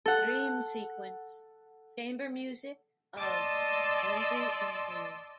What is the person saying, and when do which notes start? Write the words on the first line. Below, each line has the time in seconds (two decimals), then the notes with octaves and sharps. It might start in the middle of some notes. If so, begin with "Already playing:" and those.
"Dream Sequence - Chamber Music of Andrew Imbrie".
0.06 A4 F#5
3.17 D5 D#5 A5 C6 E6